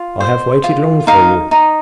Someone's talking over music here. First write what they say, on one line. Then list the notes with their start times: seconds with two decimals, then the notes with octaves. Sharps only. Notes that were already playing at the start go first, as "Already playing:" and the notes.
I have waited long for you.
Already playing: F4
0.20 C5
0.64 F4
1.07 D#4 F5
1.51 D#4